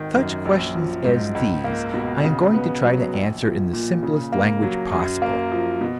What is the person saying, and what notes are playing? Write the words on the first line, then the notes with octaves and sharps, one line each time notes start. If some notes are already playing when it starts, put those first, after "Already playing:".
Such questions as these I am going to try to answer in the simplest language possible.
Already playing: G#1 D#3
F#2
A#1
F3
G#2
C#2
A#3
B2
C#3
B3
F#3
A#1
F3
A#2
C#3
A#3
F#3
F#2
A#3
F3
B2